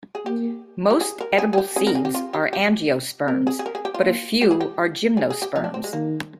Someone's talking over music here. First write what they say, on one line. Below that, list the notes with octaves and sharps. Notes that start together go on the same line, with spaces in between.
Most edible seeds are angiosperms, but a few are gymnosperms.
G#4
A#3 G4
G4
G#4
A#4
G#4
G#4
G4
C4 G#4
A#4
G#4
G4
F4
G4
G4
C4 A#4
G#4
G#4
A#4
G#4
G4
F4
A#3
G#3 G4
G#4
G4
G#4
G#4
G4
F3 D#4
D4
C4
G#3
D#3 A#3